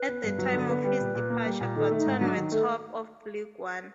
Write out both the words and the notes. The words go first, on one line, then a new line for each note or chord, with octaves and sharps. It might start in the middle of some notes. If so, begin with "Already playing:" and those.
At the time of his departure Burton were top of League One.
Already playing: B4
B3
G2
F#3
D3
B3
G3 B4
A#2
A#2
A#3
G3
A#2
D#3 A4
A3
D#4
G#2
F#3 D4
D#3
A3 A4